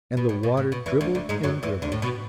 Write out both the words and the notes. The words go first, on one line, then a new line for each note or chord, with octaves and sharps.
And the water dribbled and dribbled.
B2
A2
B2
A2
B2
E2 E3
D2 D3
D2 D3
G#2 G#3
F#2 F#3
E2 E3
D2 D3
A2
B2